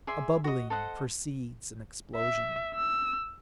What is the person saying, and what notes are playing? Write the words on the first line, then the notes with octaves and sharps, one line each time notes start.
A bubbling precedes an explosion.
G#4 D5 E5 C6
F#4 D#5
A4 C5 D#5 F#5
E5
E6